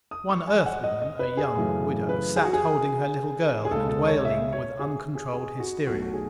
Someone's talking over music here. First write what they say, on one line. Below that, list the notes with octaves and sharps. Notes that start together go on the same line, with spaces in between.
One Earth woman--a young widow--sat holding her little girl, and wailing with uncontrolled hysteria.
D#6
C#6
G#5
F#5
D#5
D#5
B4
G#4
F#2 C#3 E3 A3
B4
G#4
F#4
G#4
G#4
C#2 C#3 G#3 A4
A4
C#5
E5
C#5
G#4
G#4
G#4
F#4
B1 B2 A3 F#4
F#4
G#4